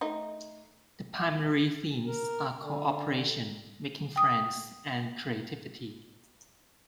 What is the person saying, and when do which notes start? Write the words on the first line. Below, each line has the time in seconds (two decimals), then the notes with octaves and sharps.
The primary themes are cooperation, making friends, and creativity.
0.01 A3 D#4
2.07 A#4
2.62 D3
4.16 G5 D#6